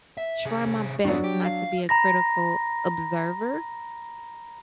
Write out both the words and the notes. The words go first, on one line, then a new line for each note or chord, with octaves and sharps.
try my best not to be a critical observer
E5
C3 G#4
F#2 F#3 B3 D4
G4
F5
A#5 B5 A#6